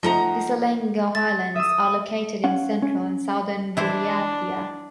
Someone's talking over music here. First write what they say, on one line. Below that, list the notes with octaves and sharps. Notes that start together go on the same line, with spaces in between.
The Selenga Highlands are located in central and southern Buryatia.
F3 A3 D#4 D#5 F#5 A#5
E5 A6
E5 D#6 E6
C#4 F5 F#5
C#4
E3 D4 E4 C5